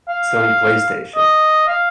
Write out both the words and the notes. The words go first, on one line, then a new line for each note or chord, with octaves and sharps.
Sony PlayStation,
F5
D#5
F5